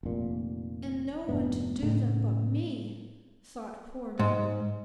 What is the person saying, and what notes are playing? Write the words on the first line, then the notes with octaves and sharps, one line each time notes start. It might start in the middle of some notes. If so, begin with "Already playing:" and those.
"And no one to do them but me," thought poor Milly.
F1 A#2
F1 G#2 B3 D4
A2 C#3
G#2